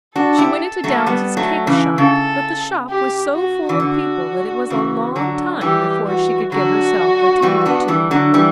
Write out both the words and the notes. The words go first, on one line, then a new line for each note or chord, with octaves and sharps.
She went into Downes's cake-shop but the shop was so full of people that it was a long time before she could get herself attended to.
D4 F#4 A4
E4 G4
F#3 A3
G3 B3
F#3 A3
C#3 E3
C#3 A4
G4
F#4
E3
D3 F#4
C#3 E3
D3 F#3
E3 G3 G4
F#4
D3 F#3 F#4
E3 G3
B3 D4
E3 G3
D3 F#3
E3 G3